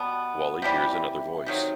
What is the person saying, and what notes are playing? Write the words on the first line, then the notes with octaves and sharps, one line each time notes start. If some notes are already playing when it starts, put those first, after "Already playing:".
Wally hears another voice.
Already playing: B2 G3 B3 A5
C3 E3 G3
C3 D#3 F#3